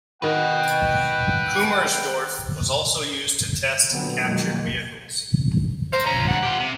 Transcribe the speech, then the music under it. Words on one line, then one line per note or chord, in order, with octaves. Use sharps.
Kummersdorf was also used to test captured vehicles.
D#3 F#4 B4 D#5 F#5 G5
A#2 D3 F#3 B3 C4
F2 B2 D#3 F#3 G#3 A#3
C5 F5 A#5
C#4 F4 A#5
G2 F#5
F4 G4
C3